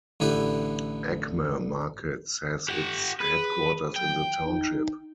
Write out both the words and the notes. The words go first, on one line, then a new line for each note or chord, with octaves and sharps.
Acme Markets has its headquarters in the township.
A1 D3 E4 G4 B4
G4 F#5
G#4 B4
F#3 G5
D#4